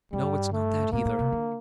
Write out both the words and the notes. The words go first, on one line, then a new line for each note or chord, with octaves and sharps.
No, it's not that either.
G2 G3
A3
A2 A#3
A2
C3
D3